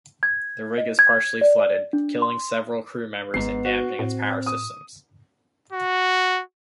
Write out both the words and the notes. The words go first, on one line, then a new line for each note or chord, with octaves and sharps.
The rig is partially flooded, killing several crew members and damaging its power systems.
G#6
D#5
G#6
D5
D4
C6
G#1 G#2 B3 C7
F#4
A2 C4
D#6
F#4